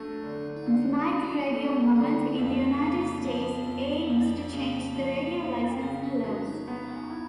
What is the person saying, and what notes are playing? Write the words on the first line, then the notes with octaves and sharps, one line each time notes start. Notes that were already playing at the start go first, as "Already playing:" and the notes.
The Microradio Movement in the United States aims to change radio licensing laws.
Already playing: F#3 A3 D4
D3
D#4
D3 D4
D4
F#3
C#4
A3 D4
D3 D4
F2 A#3
C#3
F3 B3
F2
F2 A#3
C#3
F3
F2
C#3 B3
C4
F#3 D4
D#4
B3
E4